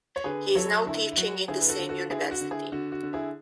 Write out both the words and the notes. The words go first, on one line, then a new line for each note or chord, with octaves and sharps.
He is now teaching in the same university.
C#5
D3 G#4 B4
F#3 A4 C#5
D3 E4
E4
F#3 F#4
D3 E4 G#4
B4
F#4 A4
D3
F#4 A4
D3 E4 G#4
F#4
D3
E4 G#4
D3 F#4
F#4
D3
E4 G#4